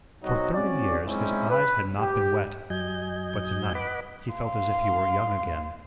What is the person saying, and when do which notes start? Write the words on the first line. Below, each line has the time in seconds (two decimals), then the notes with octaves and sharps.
For thirty years his eyes had not been wet, but tonight he felt as if he were young again.
0.22 B1 F#3 C4 D#4 F#4 D#5
0.53 C4 C#4 F#4 D5
1.05 G#3 C4 C#4 D#4 E4
1.49 B4
1.99 G4
2.70 F#2 F#3 D#5 G#5 G6
3.75 B4 D#5 F#5 B5 D6
4.34 F5 C6